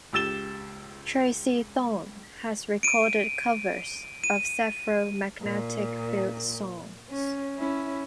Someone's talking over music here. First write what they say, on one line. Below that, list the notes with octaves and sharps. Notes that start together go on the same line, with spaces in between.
Tracey Thorn has recorded covers of several Magnetic Fields songs.
C#2 G4 E6 A6 E7 G7
D7 D#7
D#7
A#2
C#4
C#4 E4